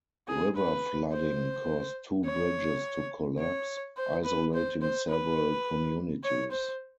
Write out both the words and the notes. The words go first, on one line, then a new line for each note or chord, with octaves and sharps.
River flooding caused two bridges to collapse, isolating several communities.
G#4
B4
C5
C#5
C#5
C5
B4
C5
C5
B4
C#5
C5